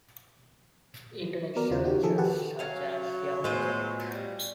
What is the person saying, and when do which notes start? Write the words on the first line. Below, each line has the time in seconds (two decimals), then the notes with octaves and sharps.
Internet services such as YahooChat!
1.22 F#3
1.56 B3 F#4 A#4 D5
1.70 D#2 C#3 F4 A#4
1.84 D#4 F#4 G4
2.03 D#3 F3 G#4 A4
2.18 F#4 G4 A4 B4 F#5 A5
2.59 F#3 C#4 F5
3.44 A2 G#3 B3 F4 B4 C5
4.12 G3